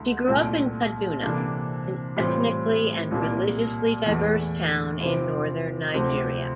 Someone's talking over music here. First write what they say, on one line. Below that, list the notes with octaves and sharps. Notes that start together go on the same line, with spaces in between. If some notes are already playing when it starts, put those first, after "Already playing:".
She grew up in Kaduna, an ethnically and religiously diverse town in northern Nigeria.
Already playing: D2 D3 A3 E4
C2 A#2 A3
C3 E3 A#3 D4 A4
A2 E3 G3 C4 F4
C2 A#2 G3 A#3
E2 E3 A3
C3 F3 C4 E4
D2 C3 F3 A3 C4